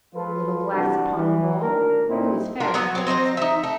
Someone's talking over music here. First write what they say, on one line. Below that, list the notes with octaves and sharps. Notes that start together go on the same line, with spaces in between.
"Little glass upon the wall, Who is fairest among us all?"
F3 G#3 F4 A4 B4
C2 C3 E3 G3 D4 F#4
E3
D2 D#3 D4 A#4
A#2 A3 C4 C#4 D#4 E4
D4 F4 A#4
F#3 B3 F#4
C4 C#5
C4 C5 D#5 A#5
D#4 E5
A3